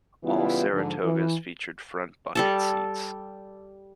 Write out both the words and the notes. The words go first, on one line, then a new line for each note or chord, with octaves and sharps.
All Saratogas featured front bucket seats.
C#3 E3 G3 B3 E4 F4
G#2 D3 F3
E3
G3 A4 A5